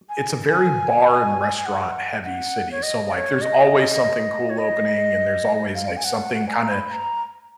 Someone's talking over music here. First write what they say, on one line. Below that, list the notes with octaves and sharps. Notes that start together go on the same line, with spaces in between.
it's a very bar and restaurant heavy city, so, like, there's always something cool opening, and there's always, like, something kinda,
G#5
G#5
G#5
F#5
F#5
C#5
D#5
C#5
D#5
C#5
D#5
F5
G#5
F#5
F#5
G#5
A#5
B5
A#5